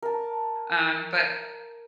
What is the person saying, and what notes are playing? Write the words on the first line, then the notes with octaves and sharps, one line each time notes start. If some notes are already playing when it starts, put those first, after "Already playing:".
um, but
A#4 A5